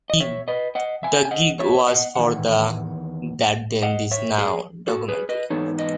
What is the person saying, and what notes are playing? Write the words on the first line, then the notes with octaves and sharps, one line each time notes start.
The gig was for the "That Then This Now" documentary.
D#5
C#5 E5
B4 D#5
D#5 F#5
E5 G#5
G#5
D#5 F#5
C#5 E5
D#5 F#5
E2 D#3 F#5
D#5 F#5
C#5 E5
G#4
F#4 A4
G#4 B4
B4 D#5
G#2 E3 B3 D#4 A4 C#5
B4 D#5